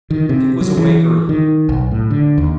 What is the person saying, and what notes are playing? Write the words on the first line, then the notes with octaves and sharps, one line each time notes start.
Dick was awake early.
D#3
C3
F#3
E3
D#3
B1
A2
D3
D#2